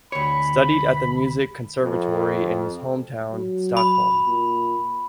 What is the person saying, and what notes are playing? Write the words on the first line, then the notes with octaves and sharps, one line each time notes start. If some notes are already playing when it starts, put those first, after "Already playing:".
Studied at the music conservatory in his hometown, Stockholm.
D2 C#5 B5
F2
F#3
B5
A#2